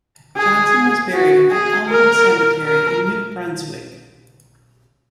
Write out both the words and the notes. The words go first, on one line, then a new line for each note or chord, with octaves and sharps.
Johnson was buried at Elmwood Cemetery in New Brunswick.
G#4
F#4
G#4
A#4
A#4